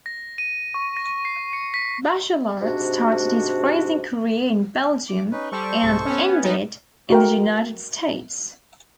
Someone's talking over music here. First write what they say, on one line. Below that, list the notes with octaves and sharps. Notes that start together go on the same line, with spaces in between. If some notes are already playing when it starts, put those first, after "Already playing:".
Bachelart started his racing career in Belgium and ended in the United States.
A#6
D#7
C#6
A#6
C7
C#7
B6
G#2 C3 D4 F#4
D6
C#4 D#4 B4
G3 A4 C5 C#6
C2 G#2
B3 C#4
G3 B3 D#4
F#4 A#4 G5